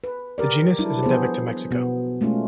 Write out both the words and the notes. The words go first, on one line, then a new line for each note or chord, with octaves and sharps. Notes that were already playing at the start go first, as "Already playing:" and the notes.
The genus is endemic to Mexico.
B4
G4 A#4 D5
F#3 G3 D4 E4
F3 B3 G#4 C5
B2 B3
G#3 A3 C#4 F4